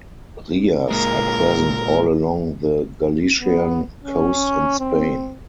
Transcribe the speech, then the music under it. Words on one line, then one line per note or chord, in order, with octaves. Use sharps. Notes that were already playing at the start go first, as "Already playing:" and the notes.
Rias are present all along the Galician coast in Spain.
A#2 G#3 A#4
B3
C#4
C4